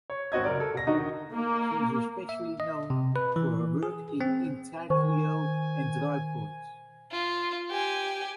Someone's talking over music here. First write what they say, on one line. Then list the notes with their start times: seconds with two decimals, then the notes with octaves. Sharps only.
She is especially known for her work in intaglio and drypoint.
0.10 C#5
0.32 G#1 C4 F#4 D#5 G#6
0.44 F#1 A#4 D5
0.60 A4
0.74 B2 A#6
0.87 D3 D#3 D#4 F#4 D#5
1.34 A#3
2.29 E5
2.60 D#5
2.90 C3
3.16 B4
3.36 E3
3.83 G#4
4.21 C4
4.90 D#3 C5 G#5 C#6
7.12 F4
7.71 G4 G#5